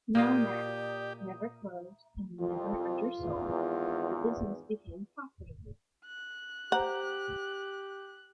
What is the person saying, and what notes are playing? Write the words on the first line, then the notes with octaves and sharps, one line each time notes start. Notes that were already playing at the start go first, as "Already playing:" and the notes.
Known as "never closed and never undersold," the business became profitable.
A#2 A#3 F4 G4 D5 D#6
C2 F2 F4
G#1 E2
F#6
G4 C5 F#5 A#5